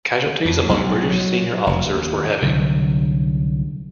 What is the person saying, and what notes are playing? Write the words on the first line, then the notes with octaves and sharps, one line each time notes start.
Casualties among British senior officers were heavy.
F2
B1
F#3
F1
D#2
C2 D3 F#3